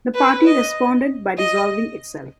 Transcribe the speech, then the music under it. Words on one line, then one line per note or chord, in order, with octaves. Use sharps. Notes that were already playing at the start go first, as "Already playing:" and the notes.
The party responded by dissolving itself.
B4
D#5
D#5